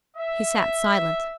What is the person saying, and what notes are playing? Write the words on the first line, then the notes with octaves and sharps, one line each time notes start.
He sat silent.
E5